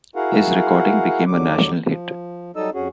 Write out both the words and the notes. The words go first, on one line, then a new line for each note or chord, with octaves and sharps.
His recording became a national hit.
E4 F#4 G#4 A#4 F5 F#5
D#2 D3 F#3 D6
F3
F#3 G3 D#4 A4 D#5 E6
F2 C#4 F#4 G#4